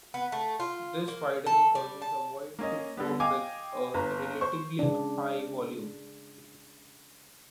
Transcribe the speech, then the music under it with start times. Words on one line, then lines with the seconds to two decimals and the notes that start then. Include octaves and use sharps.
This widening causes a void to form with a relatively high volume.
0.14 B3
0.32 A3
0.60 F4
1.08 A#3
1.46 A4
1.75 G3
2.02 A5
2.59 A#3 C#4 D#5
2.97 D3 G3 B3
3.20 D#5 F5 G5 G#5 D6
3.94 G1 B4 A#5
4.41 C5 C#6
4.79 C#3 D4